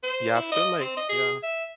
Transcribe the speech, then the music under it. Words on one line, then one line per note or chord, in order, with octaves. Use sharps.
Yeah, I feel like yeah.
C5
E4
D#5
C4
D#5
G#4
E5